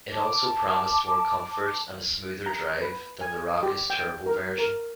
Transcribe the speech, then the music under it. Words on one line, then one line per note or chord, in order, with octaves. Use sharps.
It also promised more comfort and a smoother drive than the raucous turbo version.
A5 D6
A#5
B4
G#5
G4
G5
A#4
A#4